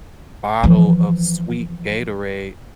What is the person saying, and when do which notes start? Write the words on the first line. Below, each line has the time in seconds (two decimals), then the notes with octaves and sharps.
bottle of sweet Gatorade,
0.64 E3 F3